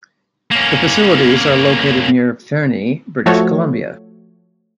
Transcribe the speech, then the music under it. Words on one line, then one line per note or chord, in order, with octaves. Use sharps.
The facilities are located near Fernie, British Columbia.
A#3 C#4
F3 A3 F#4 A4 C#5